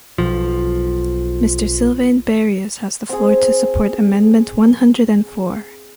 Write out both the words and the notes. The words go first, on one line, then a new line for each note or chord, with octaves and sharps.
Mr Sylvain Berrios has the floor to support amendment one hundred and four.
B1 F3
C4 G#4